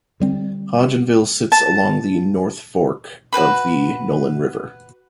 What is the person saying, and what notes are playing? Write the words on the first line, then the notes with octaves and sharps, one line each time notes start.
Hodgenville sits along the North Fork of the Nolin River.
D3 G3 C4
A5
F#4 G#4 B4 B5